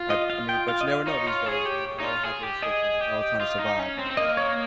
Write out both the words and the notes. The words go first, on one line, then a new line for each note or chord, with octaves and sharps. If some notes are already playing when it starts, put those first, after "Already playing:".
I I mean, but, you never know these days, you know? They all have their restriction, and they're all trying to survive, you know?
Already playing: F4
D#5
F5
G5
F5
D#5
F5
D#4 C#5
F4
G#4
G4
D#4
F4
G#4
G4
G#4 D#5
G4
F4
D#4
C#4
C4
C4
A#3 D#5
C#5